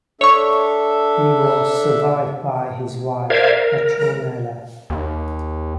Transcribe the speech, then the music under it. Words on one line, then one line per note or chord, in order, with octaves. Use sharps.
He was survived by his wife Petronella.
D4 A4 C#5 E5 C#6
A#4 C5 D5 E5 F5 G#6
A#4
D#2